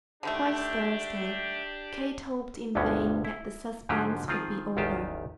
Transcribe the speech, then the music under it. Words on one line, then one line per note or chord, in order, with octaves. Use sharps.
Twice Thursday, Kate hoped in vain that the suspense would be over.
D3 D#3 A3 D4 G4
G1 D2 G2 B2 D3 C#4
E4
G#2 D3 F3 F#3 G4 G#4
D#3 F3 C4 F4 G#4
A1 E2 D#3 F4 G4 A5